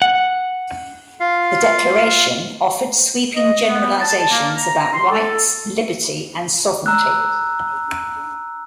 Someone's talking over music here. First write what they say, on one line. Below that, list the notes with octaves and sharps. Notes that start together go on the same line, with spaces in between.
The Declaration offered sweeping generalizations about rights, liberty, and sovereignty.
F#5
F4 F5
D#5
B3
A5
A#3
A#5
C6
A4
A#5 E6 F#6